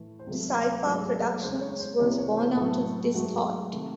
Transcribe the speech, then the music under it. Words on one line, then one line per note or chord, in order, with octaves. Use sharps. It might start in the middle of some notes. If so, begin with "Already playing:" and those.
Dcypha Productions was born out of this thought.
Already playing: A2 E3 A3
C5
C#2 C3 F#3 A3 A4
G#2 F#3 A3 G#4
G#4
A4
E2 C#3 G#3 C5
C5
C#5
C5
C2 C3 E3 C#5
C#5
C5
A2 F#3 A3 A4
G#2 F#3 A3 F#4
C3 D#3 A3